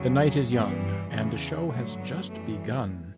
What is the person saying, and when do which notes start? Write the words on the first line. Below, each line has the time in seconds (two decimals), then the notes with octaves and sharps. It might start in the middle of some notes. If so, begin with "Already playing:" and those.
The night is young, and the show has just begun.
Already playing: E2 C#3 F#3
0.50 G2 E3 G3 B3
1.10 E2 C#3 E3 B3
1.69 G2 D3 F#3 A3
2.00 B3
2.29 F#2 E3 G3 A3